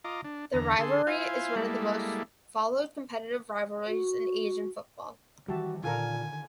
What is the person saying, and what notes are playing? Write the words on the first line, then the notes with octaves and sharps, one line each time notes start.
The rivalry is one of the most followed competitive rivalries in Asian football.
F4 D#5 A#5 D6
D4
E2 D3 A#5
D3 G#4 A4 C6
E4 F4 C5 F5 G#5
G3 G#3 A#3 E4 A4
F#4
D#3 E3 G3 F#4 G4 E5 A5
A#2 D3 D#3 F4 A4 A#4 G#5